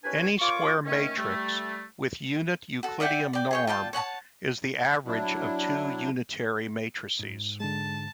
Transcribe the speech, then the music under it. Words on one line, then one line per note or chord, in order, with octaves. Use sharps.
Any square matrix with unit Euclidean norm is the average of two unitary matrices.
C2 C#4 D4 B4 G#5
A#3 F4 C#5 C#6 D6
D#3 A3 C#4
G3 A3
F#4 A4
D5 E5 F#5 G5
D5 G5
G#4 C#5 G5
F4 D5 G5 A5
C#5 F#5 G#5 A5
F#3 D4 E4
G#2
D3 G#3 A5